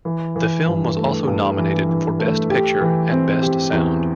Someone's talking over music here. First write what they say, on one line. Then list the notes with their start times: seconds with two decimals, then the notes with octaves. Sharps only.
The film was also nominated for Best Picture and Best Sound.
0.05 E3
0.36 E3
0.66 G2
0.97 A3
1.27 G2
1.58 E3
1.89 E3
2.19 A3
2.50 G4
2.81 E3
3.12 C4
3.42 G4
3.73 E2